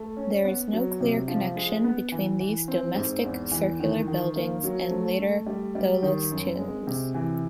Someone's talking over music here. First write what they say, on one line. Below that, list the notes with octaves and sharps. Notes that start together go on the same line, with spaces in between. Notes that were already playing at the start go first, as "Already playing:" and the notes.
There is no clear connection between these domestic, circular buildings and later tholos tombs.
Already playing: A3
C#4
B3
F#3
C3
F3
G#3
B3
E3
E3
C4
G#2
E2
E3
D#3
D#3
A#3
F#3
A3
A3
G3
G3
D#3
F#2
G#3
C3
E3